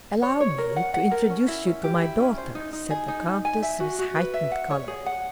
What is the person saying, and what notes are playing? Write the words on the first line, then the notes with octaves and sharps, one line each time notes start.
"Allow me to introduce you to my daughter," said the countess, with heightened color.
C#5
C#5
A#4
F#5
F#5
A#4
C#4
E4
C#4
G4
E4
C#4
C5
D#4
D#4
G#4
D#4
D#4
G#5
E5
F#4
F#4
B4
E5
F#5
C#5
G#4
F#5